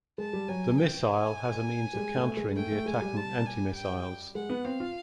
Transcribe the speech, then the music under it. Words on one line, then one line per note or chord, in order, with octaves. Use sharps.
The missile has a means of countering the attacking anti-missiles.
G#3 A5
G3
F#3 G#5
G5
G#5
G3
G#3
A3
G#3
A3 G5
A3
G#3 G#5
G3
A5
G#5
G5
G#3 F#5
B3
C4 F5
F4